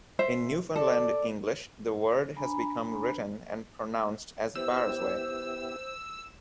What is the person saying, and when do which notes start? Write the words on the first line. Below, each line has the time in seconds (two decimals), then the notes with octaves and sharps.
In Newfoundland English, the word has become written and pronounced as barrasway.
0.19 C5 E5
0.76 A4 D5
2.37 D4 G#5 A#5 B5
4.55 B3 E4 G4 C5 E6